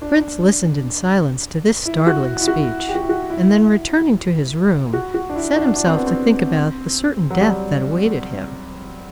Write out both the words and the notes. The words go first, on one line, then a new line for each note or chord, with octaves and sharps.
The prince listened in silence to this startling speech, and then returning to his room set himself to think about the certain death that awaited him.
D4
E4
F#4
E4
F#4
G4
F#4
E4
F#4
E4
F#4
F#4
D4
E4
D4
D4
C4
B3
C4
F#3
G3